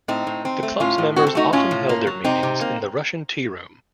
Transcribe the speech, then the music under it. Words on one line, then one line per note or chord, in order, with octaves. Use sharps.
The club's members often held their meetings in the Russian Tea Room.
A2 C4 D#4
A2
C4
A3
A2 C#4 F4
A2
C4 F#4
A4
A3 D#4 F#4
A2 C#4 F4
A2
A#3
F#3
C3 C4 D#4
C3
A#3